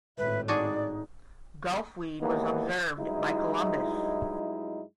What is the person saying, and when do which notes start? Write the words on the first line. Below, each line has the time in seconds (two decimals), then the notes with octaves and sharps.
Gulfweed was observed by Columbus.
0.18 G#1 A2 B4 E5
0.48 D4 D#4 F#4 G#4 D5
2.21 D#2 G#2 E3 A#3 B3 D#4
2.98 G2 F#3 G#3 D#4 E4